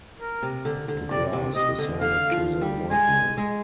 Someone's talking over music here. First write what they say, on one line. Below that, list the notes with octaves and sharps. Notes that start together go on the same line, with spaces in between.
The glass is handed to the workman.
A#4
C3
D3
D3
C3 D5
C3
C3 D#5
D3
D3 F5
F3
G3
G#3 G#5
G#3